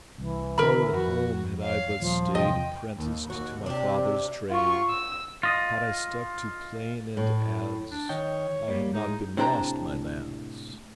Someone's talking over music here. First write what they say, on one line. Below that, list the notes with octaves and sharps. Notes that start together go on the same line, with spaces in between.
"Oh, at home had I but stayed 'Prenticed to my father's trade, Had I stuck to plane and adze, I had not been lost, my lads."
C2 E3
D3 D#3 B3 A#4 B5
F2 F#4
C#5 F5
D#1 F3
E2 C3 D#5 G5
D#2
D#2 F#4
C3 D4 G4
F4 C#6
E6
F4 D#5
A2
D4
D#3 C#5 D#5 G5
G3 A#3
A2 G#3 D#4
A2 C3 D4 C5 G5 A#5